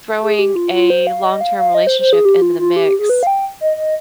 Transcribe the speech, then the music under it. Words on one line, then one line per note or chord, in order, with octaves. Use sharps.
throwing a long-term relationship into the mix,
G#4
G4
F4
F4
C5
F5
D#5
F5
F5
D#5
C5
C5
G#4
G4
F4
F4
G4
G#4
B4
F5
G5
D#5
D#5